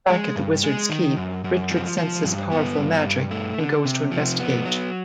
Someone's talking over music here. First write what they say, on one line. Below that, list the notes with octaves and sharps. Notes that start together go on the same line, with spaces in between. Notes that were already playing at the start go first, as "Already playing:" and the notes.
Back at the Wizard's Keep, Richard senses powerful magic and goes to investigate.
G#3
G2
G#3
D#3
F#2
F#2
F3
F3
G2
B3
G2
G2
A3
D3
C3
F3
B3
F#3